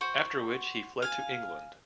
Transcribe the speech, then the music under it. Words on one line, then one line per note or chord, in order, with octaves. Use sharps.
After which he fled to England.
F#4 C5
F5 G#5